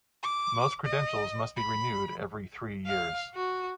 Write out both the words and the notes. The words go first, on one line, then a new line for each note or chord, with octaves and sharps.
Most credentials must be renewed every three years.
D6
D#5
B5
F5
F#4